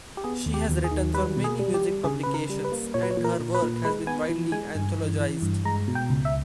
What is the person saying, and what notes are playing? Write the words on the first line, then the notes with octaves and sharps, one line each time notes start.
She has written for many music publications, and her work has been widely anthologized.
G4
B3 G#4
D#2
G4
D#2
G#4
D#3
G3 B4
B2
G#4
G3
G4
G3
C#3 G#4
C#3 B4
A#4
G3
B4
A#3
A#2 C#5
B4
C#5
A#2
A#4
A#2
B4
A#2
G#3 B4
B3 G#5
E3
G#3 G#5
G2
E3
E3
G2
G#3 A#5
B2
G5
C#2
E5